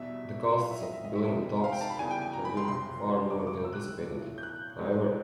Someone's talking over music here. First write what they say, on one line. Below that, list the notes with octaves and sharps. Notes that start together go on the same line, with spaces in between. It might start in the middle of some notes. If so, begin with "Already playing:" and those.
The costs of building the docks had been far more than anticipated, however.
Already playing: E2 B2 G3 E5
A2 F#3 A3 F5
E5
D#5
E5
D#5
E5
F1 E2 C3
F5
G5
A5
B5
E2 C#3 E3 G3 G#5
G5
G#5
A#5
B5
C6
F#1 F2 C3 C6
D6
G1 F#2 C#3 F#3 A3 C#6
D6
E6
F#6
B1 A2 E3
G6
F#6
A#1 G#2 F3 G#3